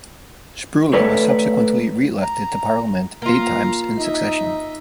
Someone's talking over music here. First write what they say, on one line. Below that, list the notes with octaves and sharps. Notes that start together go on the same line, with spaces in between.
Sproule was subsequently re-elected to Parliament eight times in succession.
A3 A4 B4 C#5 D5
A#5
A#3 F4 F5 A#5
D#4 D#5 E5